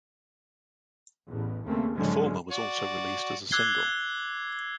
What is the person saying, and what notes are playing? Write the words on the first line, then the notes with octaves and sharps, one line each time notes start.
The former was also released as a single.
A1 E2 A2
D#2 C#3 A3 A#3 C4
G#1 D3 F3 F#3 G#3 C#4
F#4 D5
D6 E6 F#6 G#6 C7 G7